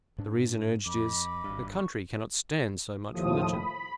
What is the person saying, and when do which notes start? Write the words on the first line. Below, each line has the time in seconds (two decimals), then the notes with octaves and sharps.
The reason urged is--the country cannot stand so much religion!
0.18 G#2 D4
0.86 F2 D#5 B5 D6
1.44 G#1 G2
1.75 C#6
3.13 D#2 A2 F3 D#6
3.47 B5